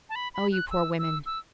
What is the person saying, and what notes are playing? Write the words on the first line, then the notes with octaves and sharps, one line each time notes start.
O you poor women!
A5
B5
B5
F#6
E6
E6
E6